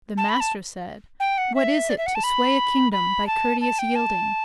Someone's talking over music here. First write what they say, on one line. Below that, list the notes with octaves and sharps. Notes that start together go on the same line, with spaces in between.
The Master said, What is it to sway a kingdom by courteous yielding?
A5
B5
A5
G5
F#5
E5
D5
E5
F#5
A5
B5
B5
A5
A5
G5
A5